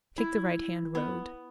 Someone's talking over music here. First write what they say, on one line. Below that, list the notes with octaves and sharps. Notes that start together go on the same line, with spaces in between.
Take the right-hand road.
E4
B3